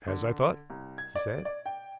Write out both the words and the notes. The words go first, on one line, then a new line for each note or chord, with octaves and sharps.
"As I thought," he said.
D3
C2
G#6
D5
D5
G5